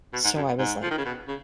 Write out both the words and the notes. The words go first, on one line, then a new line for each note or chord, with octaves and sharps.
so I was, like,
B2
G#2
F#2
G#2
F3
D#3
C#3
B2
C#3